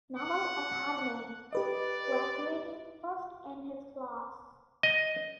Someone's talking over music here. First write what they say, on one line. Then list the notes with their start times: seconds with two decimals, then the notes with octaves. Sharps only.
Naval Academy, graduating first in his class.
0.17 F#5
1.53 G4 B4 D5 D#5
4.83 D#5